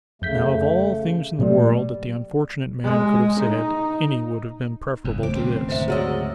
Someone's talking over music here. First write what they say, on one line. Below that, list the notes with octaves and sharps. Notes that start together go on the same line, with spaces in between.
Now, of all things in the world that the unfortunate man could have said, any would have been preferable to this.
F2 C#3 A3 G6 B6
A#2 F#3 G3 A3
G#3
D#4
F#1 E2
D#3 D6
B1 F2 C#3 C4
D2 G#2 C#3 C5 E5
F#3 G#4 D5 D#5 F#5 E6